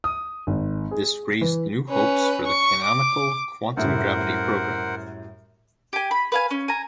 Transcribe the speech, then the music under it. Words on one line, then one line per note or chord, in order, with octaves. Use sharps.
This raised new hopes for the canonical quantum gravity programme.
D#6
G#1
G#4
E3
C#4 B4
C#6
D6
F#2 A2 G3 A#4 C5 F#5
G4 G#5
B5
B4 F5 G#5
C#4
G#5 A#5